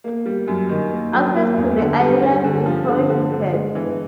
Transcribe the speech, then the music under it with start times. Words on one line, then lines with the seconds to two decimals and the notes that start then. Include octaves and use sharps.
Access to the islands is prohibited.
0.04 A#3
0.26 G3
0.48 F#2
0.69 D#3
0.92 A#3
1.13 F#3
1.35 A#3
1.57 E2
1.79 D3
2.00 G3
2.23 G3
2.44 D3
2.66 F3
2.88 D3
3.10 D3
3.32 D3
3.54 G#3
3.75 E3